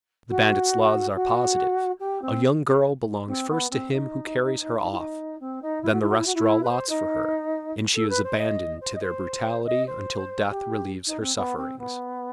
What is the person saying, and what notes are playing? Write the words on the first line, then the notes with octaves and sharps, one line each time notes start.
The bandit's laws are positive; a young girl belongs first to him who carries her off, then the rest draw lots for her, and she is abandoned to their brutality until death relieves her sufferings.
F#4
F#4
G4
C4
C4
B3
C4
D#4
E4
D#4
C4
D#4
E4
F#4
E4
F#4
E4
F#4
E4
B4
C5
D#4
A4
B4
C5
D#5
C5
D#5
C5
D#5
C5
G4
D#4
C4
B3
C4
B3